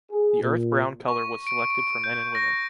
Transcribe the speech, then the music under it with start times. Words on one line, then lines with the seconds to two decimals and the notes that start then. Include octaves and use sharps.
The earth brown color was selected for men and women.
0.12 G#4
0.42 A#2
1.08 C#6
1.47 D7
1.70 D7
2.04 G6
2.35 A#6